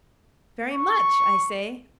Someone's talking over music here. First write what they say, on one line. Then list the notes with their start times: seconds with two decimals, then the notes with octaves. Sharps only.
"Very much," I say.
0.73 C#6